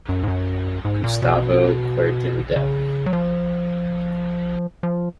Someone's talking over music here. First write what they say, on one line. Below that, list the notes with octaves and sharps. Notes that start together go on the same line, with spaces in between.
Gustavo Kuerten def.
F#2
G#2
F#2
G#2
A#2
B2
C#3
F#3
F3
F3